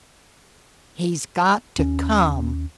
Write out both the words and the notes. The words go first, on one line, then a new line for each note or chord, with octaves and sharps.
"He's got to come!"
D#2 C#4